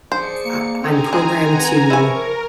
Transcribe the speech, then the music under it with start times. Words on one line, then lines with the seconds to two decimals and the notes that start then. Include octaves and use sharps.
I I'm programmed to
0.12 F3 G#4 C5 D5 C#7
0.45 A#3
0.82 C4 D#4 A4 G#5 A#5
1.13 G#3 C#4
1.53 B4 F#5
1.90 F3 E4 A#4 G#5 C#6